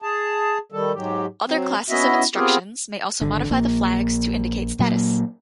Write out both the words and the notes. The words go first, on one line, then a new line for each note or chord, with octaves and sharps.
Other classes of instructions may also modify the flags to indicate status.
G#4 A5
D#3 G3 A4
G#2 F#3 G4
F#3 C4
B3 C#4 E4 F#4 D#5 E5
B3 C4 F4 G4 G#4 A#4
G#1 D3
A#1 A#2 A#3
A#2 F#3 A#3